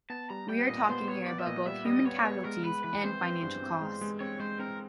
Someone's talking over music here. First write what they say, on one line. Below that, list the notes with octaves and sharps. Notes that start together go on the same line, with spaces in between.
We are talking here about both human casualties and financial costs.
B3 A5
G3 A#5
G3 G5
A#2 D#5
B3 C5
B3 C#5
B3 D5
E5
A#2 D#5
G3 E5
G3 D#5
B3 C#5
B3 C#5
G#3 A#4
G#3 B4
E3 B4
C4 C5
C4
G2
C4
G#3
G#3
C4 C#5
G#3 C5
C4 A#4